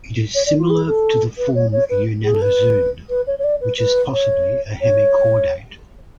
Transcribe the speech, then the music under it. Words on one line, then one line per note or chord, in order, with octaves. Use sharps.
It is similar to the form "Yunnanozoon", which is possibly a hemichordate.
C#5
D5
F4
G#4
A4
B4
C#5
C#5
B4
G#4
A4
B4
B4
C#5
C#5
D5
B4
B4
C#5
C#5